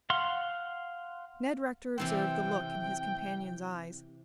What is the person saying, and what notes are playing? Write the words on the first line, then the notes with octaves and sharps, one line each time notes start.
Ned Rector observed the look in his companion's eyes.
F5 F#5 C6
C3 E3 C4 G5